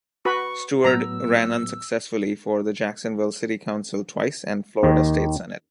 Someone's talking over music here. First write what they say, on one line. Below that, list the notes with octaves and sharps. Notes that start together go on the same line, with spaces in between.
Steward ran unsuccessfully for the Jacksonville City Council twice and Florida State Senate.
F#4 B4 B5 C#6
A2 F#3 B3 A#5 E6
D#2 D#3